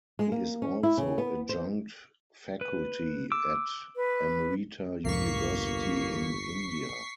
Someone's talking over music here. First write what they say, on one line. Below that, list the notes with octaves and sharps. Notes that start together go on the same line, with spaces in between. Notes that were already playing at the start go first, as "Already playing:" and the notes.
He is also adjunct faculty at Amrita University in India.
G#3
A#3
C#4
E4
C#3
B3
C5
B4
D6 E6
B4
G1 C2 F2 G#2 A#3 C#6 B6 C7